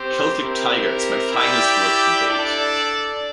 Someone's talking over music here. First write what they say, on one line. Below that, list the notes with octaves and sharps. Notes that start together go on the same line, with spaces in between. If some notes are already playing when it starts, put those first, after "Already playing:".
"Celtic Tiger" is my finest work to date.
Already playing: C4 G4 C5
C4 E4 G4 A#4
E4 G4 D5 G5
D4 A4 D5